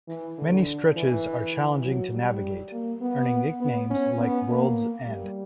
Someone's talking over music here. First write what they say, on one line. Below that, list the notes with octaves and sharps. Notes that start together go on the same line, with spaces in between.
Many stretches are challenging to navigate, earning nicknames like World's End.
E3
D3
E3
F#3
G3
A#3
B3
B3
C#4
B3
A#3
G3